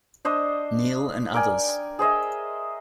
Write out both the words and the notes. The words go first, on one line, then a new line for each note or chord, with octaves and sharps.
Neale and others.
D4 C5 D#5
A#4 D5 G5 G#5
G#4 C5 D#5 E5